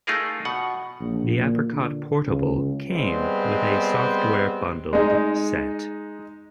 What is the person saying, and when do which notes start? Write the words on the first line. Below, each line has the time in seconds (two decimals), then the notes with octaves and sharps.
The Apricot Portable came with a software bundled set.
0.07 A3 D#4 F4 G#4 A#4
0.45 B2 F#5
1.00 A#1
1.37 A#2
1.73 D3
2.26 C#2
2.90 G3 G#3 B3 C4
4.93 G#3 D#4